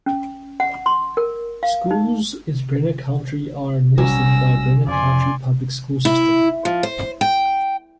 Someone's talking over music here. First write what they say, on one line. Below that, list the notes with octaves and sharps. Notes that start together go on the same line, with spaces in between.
Schools is Greene County are administered by the Greene County Public School system.
C#4
F#5
C6
A#4
F5
D#4
A#1 B2 F#3 G3 C#4 E6 A#6
F2 C#3 D5 G#5 C6
E4
F3
C5
G5